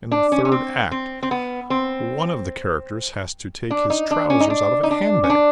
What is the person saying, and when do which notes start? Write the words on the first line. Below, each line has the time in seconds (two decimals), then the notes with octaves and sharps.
In the third act one of the characters has to take his trousers out of a handbag.
0.12 D4
0.32 C#4
0.45 C#4
0.52 C4
0.91 C4
1.23 C4
1.31 B3
1.70 C4
3.71 D4
3.90 D#4
4.11 D4
4.30 C#4
4.40 D#4
4.50 D4
4.83 D#4
4.91 D4
5.24 C#4
5.30 D4